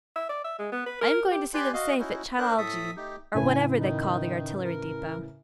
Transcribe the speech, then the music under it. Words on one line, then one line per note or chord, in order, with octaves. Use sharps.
I am going to see them safe at Chataldja, or whatever they call the artillery depot.'
E5
D5
E5
G#3
B3
B4
A#4
G4
G4 B4 D5 G#5 C6 G6
F#4 D#5 F5
C#4 D#4 E4 F#4
D4 A#4 C5 F#6
A2 A4 E5 D#6
A3 D#4 G4
A2 C#3 B4 G#5
D#3 D#4
A#4